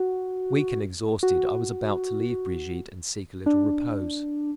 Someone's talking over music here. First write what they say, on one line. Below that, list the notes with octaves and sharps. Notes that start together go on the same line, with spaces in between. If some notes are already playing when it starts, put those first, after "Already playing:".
Weak and exhausted I was about to leave Brigitte, and seek a little repose.
Already playing: F#4
F#4
D4